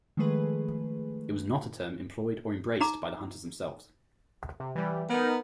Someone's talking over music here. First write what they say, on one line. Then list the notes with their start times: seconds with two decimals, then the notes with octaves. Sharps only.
It was not a term employed or embraced by the hunters themselves.
0.17 D#3 F3 G#3 A3 G#4 B4
2.81 D#4 A#5 D6
4.60 C3
4.75 E3 G3
5.10 B3 D#4 A#4